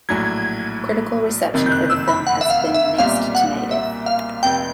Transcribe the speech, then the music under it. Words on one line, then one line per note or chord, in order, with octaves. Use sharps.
Critical reception for the film has been mixed to negative.
A#1 A2 F#3 G#6
F#1 F2 C3 D#3
G6
F#6
E6
B5
F#5
E5
F5
E5
B1 A#2 G3 C4 F5
F#5
E5
F5
F1 F2 C3 G5